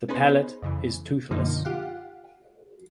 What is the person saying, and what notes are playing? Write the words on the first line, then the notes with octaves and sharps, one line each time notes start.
The palate is toothless.
B3 C#4 D#4 G#4 B4 C5
F2 C#3 E3
F#2 B2 D3 F3 A#3 D#4
F4 G4 F5 F#5